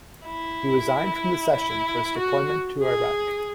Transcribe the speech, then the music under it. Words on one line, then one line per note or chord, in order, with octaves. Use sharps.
He resigned from the Session for his deployment to Iraq.
E4
E4
F#4
G#4